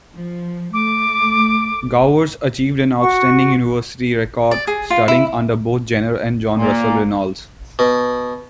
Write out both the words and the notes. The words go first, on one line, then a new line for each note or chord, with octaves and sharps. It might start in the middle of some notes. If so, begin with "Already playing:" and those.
Gowers achieved an outstanding university record, studying under both Jenner and John Russell Reynolds.
F3
A3 D6
F#4 F#5 C#6
D5
G#4
F4
E4
A#2
B2